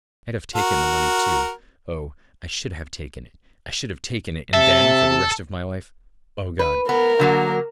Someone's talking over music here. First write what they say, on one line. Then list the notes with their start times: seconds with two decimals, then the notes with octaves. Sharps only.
I'd have taken the money, too, oh, I should have taken it; I should have taken it, and then, for the rest of my life ... oh, God!
0.56 F#4 A#4
4.53 C3 A4 E5
6.59 B4
6.89 B3 A#4
7.20 D3 F#3 A#3